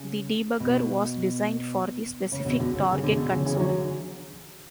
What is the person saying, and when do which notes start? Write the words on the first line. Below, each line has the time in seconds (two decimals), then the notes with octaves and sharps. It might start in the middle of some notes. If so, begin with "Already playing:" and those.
The debugger was designed for the specific target console.
Already playing: C#3
0.60 B2
2.32 C#3
2.45 B2 D3
2.60 B2 D3
2.75 C#3
2.92 C#3
3.02 B2 D3
3.17 B2 D3
3.31 C#3
3.45 C#3 E3
3.60 D3 F#3